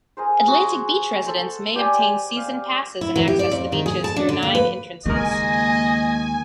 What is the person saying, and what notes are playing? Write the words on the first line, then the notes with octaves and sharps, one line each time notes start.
Atlantic Beach residents may obtain season passes and access the beaches through nine entrances.
G#4 A#4 C5
F#4 G#4
A4 C5 F#5
G4 D5 G5 G#5
F5
E4
E3
G4
D5
F2
D#3
G#4
A5
D4
D3
A#3
B4
D#2 C#3 G#3 A#3 A#4 D#5 G#5